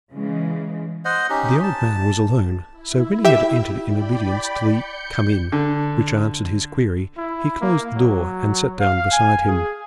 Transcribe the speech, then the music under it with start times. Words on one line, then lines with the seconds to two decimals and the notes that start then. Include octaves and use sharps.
The old man was alone, so, when he had entered in obedience to the "Come in," which answered his query, he closed the door and sat down beside him.
0.12 C#3 E3 G#3
1.05 C5 D#5 F#5
1.30 C#4 D#4 G4
1.63 A5
2.71 E4
3.25 G4 E5
3.88 D5 G5 B5
4.62 G6 C#7
5.52 D3
7.17 E4
7.61 A#3
7.96 F#3
8.80 F5
9.12 G#5
9.48 G#4